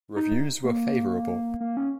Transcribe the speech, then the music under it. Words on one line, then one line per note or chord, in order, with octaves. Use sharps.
Reviews were favourable.
D#4
A#3
A#3
C#4